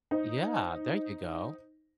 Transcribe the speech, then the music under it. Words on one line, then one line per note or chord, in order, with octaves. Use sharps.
Yeah, there you go.
D#4 C5